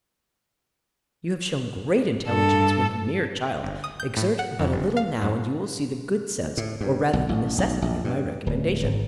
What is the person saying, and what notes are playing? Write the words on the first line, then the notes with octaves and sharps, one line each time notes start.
You have shown great intelligence when a mere child; exert but a little now, and you will see the good sense, or rather the necessity, of my recommendation.
G2 A4
G1
D#6
G6
A2
F#5
F2
G1
F5
F#2
A2
G2
B1
A1
B1
A#1
G2
D1
G#1